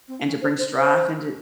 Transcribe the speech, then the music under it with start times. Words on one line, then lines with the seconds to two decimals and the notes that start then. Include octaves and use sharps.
and to bring strife into
0.08 C4
0.25 C#4
0.42 C5
0.58 C5
0.75 C5